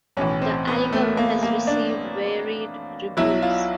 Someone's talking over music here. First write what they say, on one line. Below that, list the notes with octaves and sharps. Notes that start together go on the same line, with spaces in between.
The album has received varied reviews.
B1 A2 E3 C#4
C4
B3
A3
A#3
A#3
D4
B1 B2 F#3 E4
F4